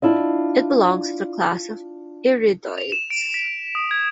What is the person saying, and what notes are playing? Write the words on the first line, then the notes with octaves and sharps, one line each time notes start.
It belongs to the class of iridoids.
D4 E4 F4 D#5
F7
E7
D7
B6
D#6
G#6